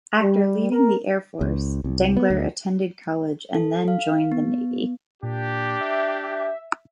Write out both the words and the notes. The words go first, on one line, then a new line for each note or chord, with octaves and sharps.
After leaving the Air Force, Dengler attended college and then joined the Navy.
G3
A#4
C#2
C2
B3
D2
A4
F5
B3
A#2 D4 G4
E5